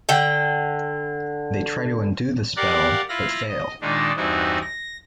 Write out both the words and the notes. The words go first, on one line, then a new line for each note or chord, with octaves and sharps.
They try to undo the spell, but fail.
D3 G5
G4 A#4 D5 F5 F#5
E4 F4 F5 B5 A#6
D#5
A#2 D#3 G#3 D4 D#4
E2 G2 C4 D#4 E4 F#4
A#6